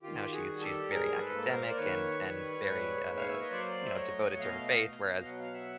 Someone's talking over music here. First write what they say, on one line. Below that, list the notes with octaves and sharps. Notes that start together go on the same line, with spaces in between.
you know, she's she's very academic and and very, uh, you know, devoted to her faith, whereas
D#3 F4 G4
F#4 G#4
G3
G4 A4
G#2 G#4 A#4
A4 B4
A#3
B4
A#4 C5
D5
D#3 B4 C#5
G3
G#2
A#3
F5
E5
D#5
F#3 C5 D5
E5
A3 C#5 D#5
F#5
B2 D#5 F5
B2
F#3 F#5
F5
E5 F#5